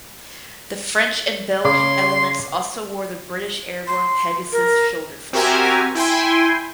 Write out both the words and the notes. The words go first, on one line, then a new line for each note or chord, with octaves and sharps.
The French and Belgian elements also wore the British airborne Pegasus shoulder flash.
C#3 C#5 C6 D6
C6
A#4
C4 F#4 G4 A#4 E5 G#5
E4 G5 G#5 C6